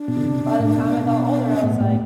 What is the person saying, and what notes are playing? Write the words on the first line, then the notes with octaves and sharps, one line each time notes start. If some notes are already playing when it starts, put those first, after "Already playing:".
by the time I got older, I was like,
Already playing: D4
B2
D3
C3
A2
B2
A2 B3
A2